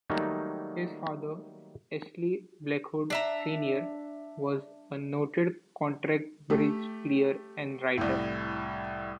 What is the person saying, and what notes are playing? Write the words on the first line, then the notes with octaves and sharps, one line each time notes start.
His father, Easley Blackwood Senior was a noted contract bridge player and writer.
D#3 F#3 G3 A3 A#3 D#4
D4 E5 A#5
A3 G4
C2 A2